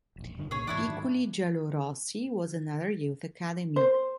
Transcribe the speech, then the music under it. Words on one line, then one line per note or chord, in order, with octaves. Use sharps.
Piccoli Giallorossi, was another youth academy.
E1 A#1
G2 D3 D#3
C2 A#2 C#3 G#4 C#5
G#2 E3 D4 E4 C#5
G#2 D#3 F#3
C5